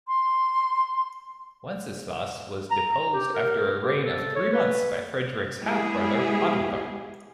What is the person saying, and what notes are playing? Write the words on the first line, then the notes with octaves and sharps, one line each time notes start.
Wenceslaus was deposed after a reign of three months by Frederick's half-brother Ottokar.
C6
A#5
A#5
G4
A#4
G4
A4
C#5
B4
G#3 B3 E4 G4 G#4